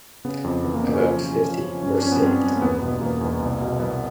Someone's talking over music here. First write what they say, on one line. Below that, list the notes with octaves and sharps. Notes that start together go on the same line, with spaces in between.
About fifty were saved.
C#3 B3
F2
E3 B3
A#3
C#3 B3
C#4
F3
F3
F3
F3
G2 C#4
D4
F3 C#4
B3
G2 C4
G2
A#3
E2 B3
B3
B2
B3
E2 A#3
E2
C2
B2
C2 B3